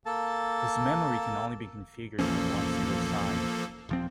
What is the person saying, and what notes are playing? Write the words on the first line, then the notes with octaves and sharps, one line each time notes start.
This memory can only be configured for one single size.
A#3 A4 A5
A#1 E2 F3 A#3 C#4 A4
D#1 F3 C4